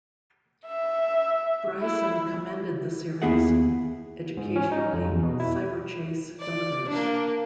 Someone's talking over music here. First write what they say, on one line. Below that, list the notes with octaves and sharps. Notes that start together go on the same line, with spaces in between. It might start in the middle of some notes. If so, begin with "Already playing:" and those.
Bryson commended the series: "Educationally, "Cyberchase" delivers".
E5
E4
D#2 B3 E4 G#4 E5 F#5
G#2
C#4
D#4
F2
E2
B2
E4
D5
A#3 D4